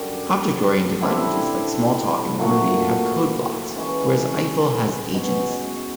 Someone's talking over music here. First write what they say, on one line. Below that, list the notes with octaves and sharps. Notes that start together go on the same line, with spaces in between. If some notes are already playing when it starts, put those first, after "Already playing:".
Object-oriented languages like Smalltalk and Ruby have code blocks, whereas Eiffel has agents.
Already playing: F#2 D3 G3
D3 G3 C4 E4
A#2 F#3 A3
E3 G#3 C#4
B2 G#3 C#4